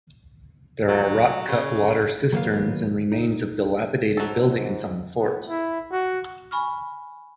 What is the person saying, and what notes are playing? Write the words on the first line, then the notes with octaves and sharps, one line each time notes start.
There are rock cut water cisterns and remains of dilapidated buildings on the fort.
F#3
C#3
D#3 F#3 A#3 B3 F5
D#4
G#2 F#3 A4
B3
E4
F#4
G#5 B5 C#6 F6